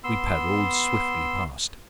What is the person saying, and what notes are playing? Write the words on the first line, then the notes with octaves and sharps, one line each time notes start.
We paddled swiftly past.
B3 C6 E6